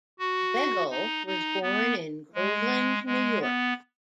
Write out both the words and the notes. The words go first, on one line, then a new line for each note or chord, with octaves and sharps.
Begole was born in Groveland, New York.
F#4
D#4
D#4
B3
G#3
G#3
B3